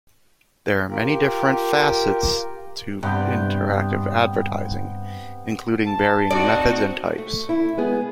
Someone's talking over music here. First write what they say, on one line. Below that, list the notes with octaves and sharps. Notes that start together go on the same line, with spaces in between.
There are many different facets to interactive advertising, including varying methods and types.
F4 G4 A#4
G2 C3 B3 G5
A5
C4 D#4 F#4 D5
A3
E4
G#3 B3 G#4